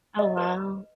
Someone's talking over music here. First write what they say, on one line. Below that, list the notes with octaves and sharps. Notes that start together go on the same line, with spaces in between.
Oh, wow.
D#5
B4